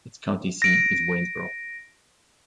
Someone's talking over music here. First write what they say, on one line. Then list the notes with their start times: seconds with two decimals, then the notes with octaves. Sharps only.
Its county seat is Waynesboro.
0.62 A#6 D7